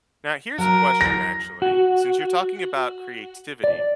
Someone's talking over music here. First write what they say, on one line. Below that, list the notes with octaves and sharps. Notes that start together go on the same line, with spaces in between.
Now here's a question actually: since you're talking about creativity,
F#3 A#4
A#6
F#4
D5